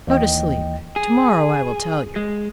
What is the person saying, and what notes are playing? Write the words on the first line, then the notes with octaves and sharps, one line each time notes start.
Go to sleep; to-morrow I will tell you.'
D#2 E3 D#5 G5
G#4
G#3